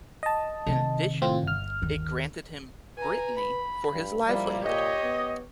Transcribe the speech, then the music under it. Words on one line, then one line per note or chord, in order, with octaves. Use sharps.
In addition, it granted him Brittany "for his livelihood".
D#5 A5
C3 D#3
A2 C4 F4
G1 F6
D#2 D#3
B4 G#5 A#5
B5
G2
F3 G3 A#3 E4
A#2 G4 C#5 D#5
B3